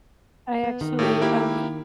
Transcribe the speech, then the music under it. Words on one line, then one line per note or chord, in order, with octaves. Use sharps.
I actually, um,
B3
D#3
A2 G4
A#3 E4 G4